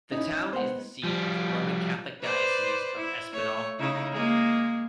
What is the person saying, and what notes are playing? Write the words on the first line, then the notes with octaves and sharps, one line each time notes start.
The town is the seat of the Roman Catholic Diocese of Espinal.
C#4 D#4 E4
G#3 B3 C5 F#5
F3 G3
B4 C5 D5
E4
A3 C#5
C#3 D#4 E4
G#3 A#3